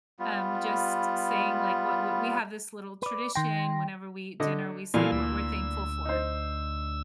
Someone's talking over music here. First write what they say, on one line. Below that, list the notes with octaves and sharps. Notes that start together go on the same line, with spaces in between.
um, just saying, like, what what we have this little tradition whenever we eat dinner, we say what we're thankful for.
G3 B3 F4
B4 D5
D#3 G5 C6 A#6
D3 D#5
A#2 E3 A#3 A4 F5 G#5
D2 E6
D#4 C5